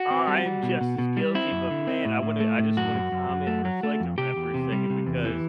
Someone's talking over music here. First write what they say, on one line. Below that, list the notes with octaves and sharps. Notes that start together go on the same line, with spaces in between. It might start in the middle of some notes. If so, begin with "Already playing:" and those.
Uh, I am just as guilty, but man, I wanna I just wanna comment, and reflect on that for a second because
Already playing: F#4
C4
G3
G3
B2
B2
B2
G3
C4 E4
F#2
D3
C4
A2
A2
A3
A2
F#2 F#4
F#2
F#2
F#2
A3
F#3
A3
F2
C3 G4
E2
C3
G3
C3
E2
E3